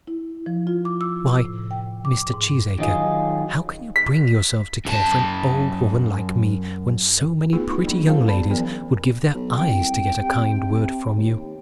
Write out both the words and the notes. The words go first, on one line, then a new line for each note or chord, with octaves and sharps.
"Why, Mr. Cheesacre, how can you bring yourself to care for an old woman like me, when so many pretty young ladies would give their eyes to get a kind word from you?"
E4
F3
F4
D6
E6
C3
A2
G5
D6
G#2
D#3 F#3 D#4 F4 G#4
B6
F#2 A5
A3 B3 D#4 F4 G#4 B4
A3 D#4 F4
F#3 G#3 A#3 D4
C#4 F4 G#4 C5 F5
B3 D5 A5 B5
E3 F#3 B3 A#4
B1
C2 G5
C3
D#2